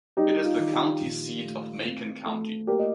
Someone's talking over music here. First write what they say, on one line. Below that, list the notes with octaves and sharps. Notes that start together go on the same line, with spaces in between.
It is the county seat of Macon County.
G3 D#4 G4
F4
D#3
F4
A#1
A3
C4
A3
A#3 G4 A#4
D#5